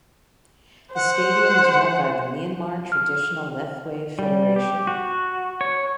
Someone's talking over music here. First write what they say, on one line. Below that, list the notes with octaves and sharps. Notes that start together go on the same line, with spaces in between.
The Stadium is run by the Myanmar Traditional Lethwei Federation.
C5 F#5
F6
G3
G4
F#4
C#5